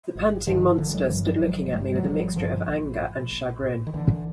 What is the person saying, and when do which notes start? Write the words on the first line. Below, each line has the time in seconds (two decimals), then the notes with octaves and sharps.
The panting monster stood looking at me with a mixture of anger and chagrin.
0.15 G#1
0.47 G2 D3 D#3 F3
0.78 G#1 D3 E3
0.89 G3
0.94 F#3 G#3
1.09 G2 D3 E3 F#3
1.26 F3 G3
1.42 G#1 F#3 G#3
1.73 G2 D3 G3 A3
1.85 F3
1.96 F#3
2.04 G#1 F3 G3
2.36 G2 D#3 F3
2.40 D3
2.68 A#1
3.00 A2
3.31 A#1
3.62 A2
3.87 D#3
3.93 A#1 D3 E3